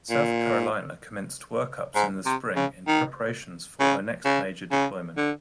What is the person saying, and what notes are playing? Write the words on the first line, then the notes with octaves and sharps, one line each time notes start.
"South Carolina" commenced workups in the spring in preparations for her next major deployment.
A#2
G#2
C3
C#3
D#3
C#3
C#3
C#3
D3